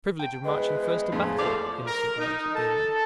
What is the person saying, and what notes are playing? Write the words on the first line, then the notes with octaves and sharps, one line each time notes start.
"The privilege of marching first to battle!" innocently answered the Indian.
G5
E2 G#2 G#3 B4
F2 A2 G#4
F3 A3 D5 D6
A#4
D#4
A4 A5